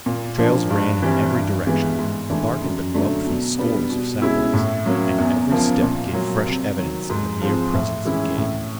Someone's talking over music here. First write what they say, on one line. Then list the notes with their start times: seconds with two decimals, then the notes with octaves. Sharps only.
Trails ran in every direction, the bark had been rubbed from scores of saplings, and every step gave fresh evidence of the near presence of game.
0.06 A#2
0.38 F3 A#3 D4
0.70 G2
1.02 E3 G3 C4
1.35 G2
1.67 E3 G#3 B3
1.99 G#2
2.30 E3 A3 D4
2.62 F#2
2.94 D3 F#3 A3 D4
3.26 B2
3.58 G3 B3 D4
3.90 B2
4.22 G#3 C#4 E4
4.54 A2
4.86 F#3 A#3 C#4
5.18 E2
5.51 C#3 F3 A#3
5.82 A#2
6.13 F#3 A#3
6.46 C3
6.78 D#3 F#3
7.10 G#2
7.41 F3 G#3 C4
7.73 A2
8.05 E3 G#3 C#4 E4
8.37 A2